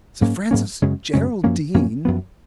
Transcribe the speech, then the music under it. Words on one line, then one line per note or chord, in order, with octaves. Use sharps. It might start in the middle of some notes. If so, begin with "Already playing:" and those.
"Sir Francis Geraldine!"
G#2 F#3 A#3 C#4
G#2 F#3 A#3 C#4
F#2 C#3 G#3 C#4
F#2 C#3 G#3 C#4
F#2 F3 A#3 C#4
F#2 F3 A#3 C#4
F#2 F3 B3